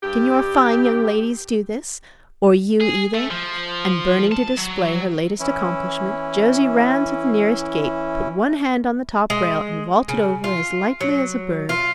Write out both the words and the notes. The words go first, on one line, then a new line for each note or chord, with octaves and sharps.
Can your fine young ladies do this? or you either?' and burning to display her latest accomplishment, Josie ran to the nearest gate, put one hand on the top rail, and vaulted over as lightly as a bird.
G2 G4
G#4
A3
F3
A5
F#3
E3 C#4 E4
G#3
C#3
F4
F#3
F4